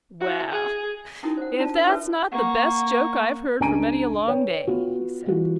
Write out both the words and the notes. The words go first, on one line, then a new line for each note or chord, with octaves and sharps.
"Well, if that's not the best joke I've heard for many a long day," he said.
E4 F#4
G#4
C#4 D#4 E4 F#4 A#4 D#6
C5 F#5
D4 F4 D5 A5
D4 A#4 E6
E4 F#4 A4 B4 C#5 E5
A#3 F#5 C#6
C#2 D4 G#5 A#5 D7 D#7
B4 C#5 G5
B3 F4 F#4
E3 G3 F4 F#4